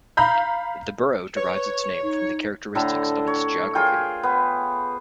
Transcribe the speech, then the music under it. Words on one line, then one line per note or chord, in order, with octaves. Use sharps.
The borough derives its name from the characteristics of its geography.
F5 A#5 B5 G6
B4 C#5
D#4
A2 D3 A4 A#5
C#5
F4 G#4 A#4 G5
B3